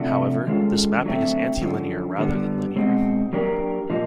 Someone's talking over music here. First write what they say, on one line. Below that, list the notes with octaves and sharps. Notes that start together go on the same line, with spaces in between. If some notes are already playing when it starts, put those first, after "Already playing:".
However, this mapping is antilinear rather than linear.
Already playing: C3 F3 A3 D4 F#4
D#3 G#3 C#4 F4 A4
D3 F#3 A3 C4
F#2 D3 F3
D3 G3 B3
B2 G#3 C4 D#4 F#4
F#3 A#3 D4 G4 A#4
A#2 F3 A#3 D#4